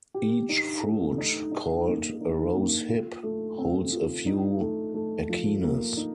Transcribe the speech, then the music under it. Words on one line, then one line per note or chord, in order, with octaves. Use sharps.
Each fruit, called a rose hip, holds a few achenes.
G4
D#4
A3
D#4
D#4
A#3
D#4
A#3
F4
A3
C4
F4
D#4
A3
A3
F3
A#3
D#4